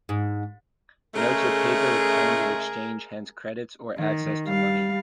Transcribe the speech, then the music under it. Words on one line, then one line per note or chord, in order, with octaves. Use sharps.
Notes are paper with terms of exchange, hence credits or access to money.
G#2
C#3 G#3 A3 G#4 A#4
D#3
G3 F5